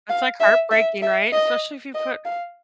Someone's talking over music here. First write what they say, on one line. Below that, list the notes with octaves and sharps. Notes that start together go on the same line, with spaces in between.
It's like heartbreaking, right? Especially if you put
F5
E5
E5
E5
D#5
D#5
F5